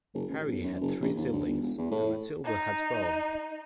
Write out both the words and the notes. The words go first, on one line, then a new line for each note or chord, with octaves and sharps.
Harry had three siblings and Matilda had twelve.
F#1
A1
B1
F#2
F#1
A#1
D#2
D2
G1
E1
E2
A2
D#4